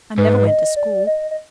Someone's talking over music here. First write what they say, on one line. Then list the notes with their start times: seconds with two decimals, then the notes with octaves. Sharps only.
I never went to school.
0.18 G#2 B4
0.47 D#5
0.76 D5
1.07 D#5
1.31 D#5